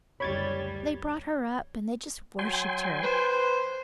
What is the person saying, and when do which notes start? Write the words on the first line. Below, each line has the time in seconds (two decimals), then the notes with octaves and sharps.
They brought her up and they just worshipped her.
0.20 F#1 D2 G3 C#5 B5 G#6 A6
2.39 F#3 G5 G#5 C6
3.03 B4 C5